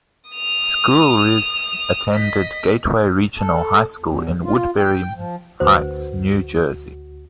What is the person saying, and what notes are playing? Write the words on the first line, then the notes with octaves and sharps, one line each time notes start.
Squyres attended Gateway Regional High School in Woodbury Heights, New Jersey.
D#6 F7
D#5 B6
A4
E2
F4
G5
F3
D2 F#4 B4 C5